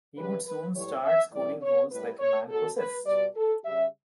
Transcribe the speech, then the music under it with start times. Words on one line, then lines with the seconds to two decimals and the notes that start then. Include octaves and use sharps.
He would soon start scoring goals like a man possessed.
0.16 C#3 E3 G3 B4
0.46 B4
0.74 A2 E3 G3 C#5
1.03 E5
1.33 A2 E3 G3 D5
1.62 C#5
1.90 A2 G3 B4
2.19 C#5
2.49 B2 F#3 A4
2.77 B4
3.06 B2 G3 D5
3.35 A4
3.64 C#3 G3 E5